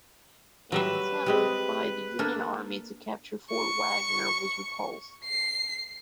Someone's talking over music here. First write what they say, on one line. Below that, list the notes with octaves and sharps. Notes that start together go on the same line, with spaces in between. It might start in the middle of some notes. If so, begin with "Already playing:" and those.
An attempt by the Union Army to capture Fort Wagner was repulsed.
F#3 G3 B4 E5
G3 G#3 C4
A#3 D4 A4
C#6
C7